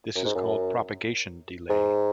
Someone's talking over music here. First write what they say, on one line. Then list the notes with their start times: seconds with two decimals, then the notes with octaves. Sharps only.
This is called "propagation delay".
0.15 F#2
0.25 G#2
0.35 F#2
1.70 G#2